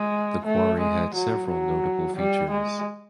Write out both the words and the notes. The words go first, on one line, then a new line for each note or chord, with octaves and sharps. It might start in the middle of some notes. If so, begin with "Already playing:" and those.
The quarry had several notable features.
Already playing: G#3
A3
G#3
F#3
F#3
G3
G#3